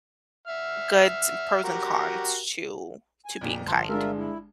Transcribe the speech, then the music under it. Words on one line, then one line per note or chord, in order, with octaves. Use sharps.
good pros and cons to to being kind.
E5 F6
F#4 G4 A#4
G#5
F2 A#2
G1 F3 A5 C6
G#3 D4 F4 A#4 E5
E4